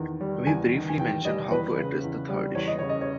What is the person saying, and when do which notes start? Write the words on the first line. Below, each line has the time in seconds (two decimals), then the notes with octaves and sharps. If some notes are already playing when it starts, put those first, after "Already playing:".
We briefly mention how to address the third issue.
Already playing: E2 D#3
0.21 G3
0.47 E2 G#5
0.73 D#3
0.89 G#5
0.99 E2 G5
1.25 G3 D#5
1.51 E2 B4
1.77 C#3
2.04 E2
2.29 G3
2.55 E2 C#5
2.67 D#5
2.79 C#3 C#5
2.89 D#5
3.01 C#5